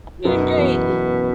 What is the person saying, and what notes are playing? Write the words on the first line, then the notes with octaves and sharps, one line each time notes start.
Doing great.
F#2 B2
E3 B3
F#2